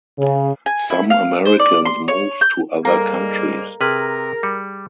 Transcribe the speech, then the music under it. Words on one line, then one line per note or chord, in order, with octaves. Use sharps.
Some Americans move to other countries.
C#3
G#5
E4
F5
C5
D5
C6
C#5
G6
G#2 G3 A#3 A4 A#4 F5 A#5
C3 G#4 A#4 B4 F6 G#6
G3 C#7